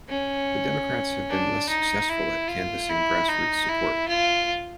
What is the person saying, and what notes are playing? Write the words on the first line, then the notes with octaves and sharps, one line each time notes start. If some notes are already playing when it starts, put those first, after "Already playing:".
The Democrats have been less successful at canvassing grass-roots support.
C#4
D4
D#4
E4
F4
E4
D#4
E4
F4